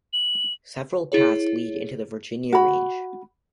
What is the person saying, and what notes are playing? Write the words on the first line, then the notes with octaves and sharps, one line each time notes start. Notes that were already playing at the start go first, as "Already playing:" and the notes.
Several paths lead into the Virginia Range.
F#7
E4 G#4 C#5
F#4 B5